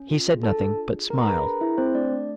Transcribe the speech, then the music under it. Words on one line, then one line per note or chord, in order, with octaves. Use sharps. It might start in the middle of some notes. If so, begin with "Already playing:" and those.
He said nothing, but smiled.
Already playing: C#4
F4
G#4
D4 A4 A5
D4
F4
G#4
D4 A#4 A#5
A#5
G#4 B4 B5
D4 A#4 A#5
E4 G#4 E5
A3 C4 C5
A3 D4 D5
A3